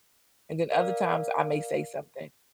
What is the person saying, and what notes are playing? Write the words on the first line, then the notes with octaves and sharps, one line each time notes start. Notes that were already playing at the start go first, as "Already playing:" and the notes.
and then other times, I may say something
A#4 D5 F5